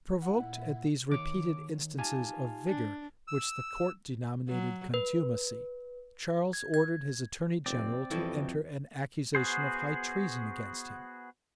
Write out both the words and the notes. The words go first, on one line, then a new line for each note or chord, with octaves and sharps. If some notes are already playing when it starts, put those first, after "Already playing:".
Provoked at these repeated instances of vigor, which the court denominated contumacy, Charles ordered his attorney-general to enter an accusation of high treason against him.
A#2 E4 F#5
D#3 C#5 D6
D#4 F4 G4 G#5 A5
D4
E6
F#3
B4
G#6
G#6
F1 C4 D5
F2 B2 E3 G3 E4 A4
B3 F#4 G#4 C5